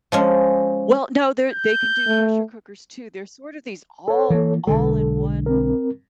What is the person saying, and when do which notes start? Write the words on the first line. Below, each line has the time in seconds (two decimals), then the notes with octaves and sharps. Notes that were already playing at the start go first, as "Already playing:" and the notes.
Well, no they're they can do pressure cookers too. They're sort of these all all in one,
0.12 F3 G#3 C#4
1.53 G6
2.07 A3
4.08 A4 C#5
4.30 E3 A#3
4.67 B1 D3 G#3 A4
5.46 C4 A#4